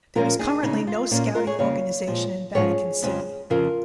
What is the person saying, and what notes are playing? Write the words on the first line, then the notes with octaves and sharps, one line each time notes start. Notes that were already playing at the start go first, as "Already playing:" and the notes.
There is currently no Scouting organization in Vatican City.
A#2 F3 G#3 C#4 F4 A#4
D#4 G#4
C#3 G#3 C#4 D#4
F4
A#2 A#3 C#4 F4
F4 A#4
G#4 C#5
F2 C#3 A#3 C#5 F5
A#2 F3 G#3
G#2 F3 G#3 C#4 G#4 C#5
F2 C#3 F3 G#3 C#4
F2 C#3 F3 F4 A#4